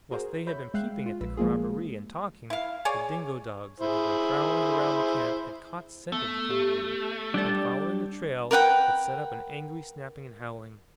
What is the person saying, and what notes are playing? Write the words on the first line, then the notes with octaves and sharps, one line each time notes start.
Whilst they had been peeping at the corroboree, and talking, the dingo dogs that had been prowling around the camp, had caught scent of the Kangaroo; and, following the trail, had set up an angry snapping and howling.
F#4 G#4 A#4 C5
C#5 E5 B5 G6
G#3 E5 F5 G5 F#6 C7
F4
A#1 B4 E6
F3 G#3 A#3 F4 G#4
E4 F5
G#4 C#5 D5 G#5
E4 G#4 C5
A3 B3
G4
G3 D4 G4 D5 A5
A#4 B4 F#5 G5